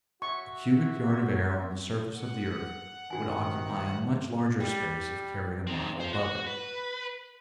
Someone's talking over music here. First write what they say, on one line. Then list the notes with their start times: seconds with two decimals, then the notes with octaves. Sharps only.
A cubic yard of air on the surface of the earth would occupy a much larger space if carried a mile above it.
0.22 F#4 E5 C#6
2.13 F#5
3.10 G2 C3 D#3 D4 F#4 G#5
4.60 G3
5.67 C4 D#4
6.00 C5 F5
6.13 F#4 F#5
6.47 B4